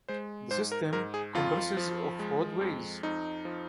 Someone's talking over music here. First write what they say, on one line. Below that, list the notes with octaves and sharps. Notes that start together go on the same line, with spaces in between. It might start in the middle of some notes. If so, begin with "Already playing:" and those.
The system comprises of roadways.
G#3 C5
G#2 C5
A#4
G#2 A#4
G#4
F2 F4
F3
G#3
F2
F2 D#4
F3